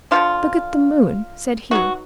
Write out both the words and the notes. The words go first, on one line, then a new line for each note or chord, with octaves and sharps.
"Look at the moon," said he.
D3 F3 B3 D4 F4
F#3 B3 D#4 F#4